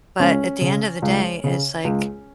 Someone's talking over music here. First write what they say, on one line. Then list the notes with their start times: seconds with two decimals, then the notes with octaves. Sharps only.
but at the end of the day, it's like,
0.19 C#2 C#4
0.61 C#3
1.02 C#2
1.44 C#3
1.85 C#2